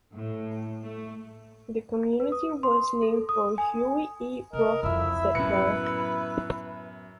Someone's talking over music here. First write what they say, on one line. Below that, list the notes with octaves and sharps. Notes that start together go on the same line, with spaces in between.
The community was named for Huey E. Brock, settler.
A2
A3
B4
D#6
C6
A4
D#6
G#5
C#3 A#4 D#5
F2 D3 E4 E5
F#2 A2 B3 B4 C#7